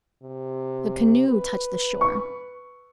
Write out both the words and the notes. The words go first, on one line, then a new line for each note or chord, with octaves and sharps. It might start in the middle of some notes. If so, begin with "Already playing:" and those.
The canoe touched the shore.
C3
B4
C#6